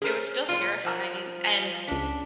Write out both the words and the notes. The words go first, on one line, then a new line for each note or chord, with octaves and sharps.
it was still terrifying, and
C#4 G#4 A#4 C5
B2 G#3 F4
F3 A#4 F#5
C#2 D4 B6